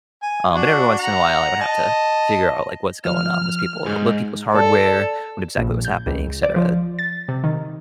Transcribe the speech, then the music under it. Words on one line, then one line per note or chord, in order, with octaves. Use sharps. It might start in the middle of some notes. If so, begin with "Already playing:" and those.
Um, but every once in a while, I would have to figure out, like, what's going on was people load people's hardware, what exactly was happening, etcetera,
G#5
D4 F#4
F#5 A#5
D#5 A5
F3 F6
G#2 G#4
A4 D5 A5
A#1
G6
C#2
D5
F3
A6
C3
D#3